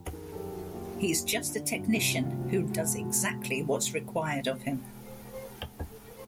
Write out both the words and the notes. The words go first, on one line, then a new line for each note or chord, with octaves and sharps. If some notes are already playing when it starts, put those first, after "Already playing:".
He's just a technician who does exactly what's required of him.
Already playing: F2
D#3 G#4 A#4
F#2 G4 A4
F#2 F#4 G#4
D#2 F4 G4
D#2 F4 G4
D#2
D3 F4
D3
G2 F#4
C3 F4
F#4
D2
F4
F3
F#4
G#3 F4
B2 F#4
F4
B2 F#4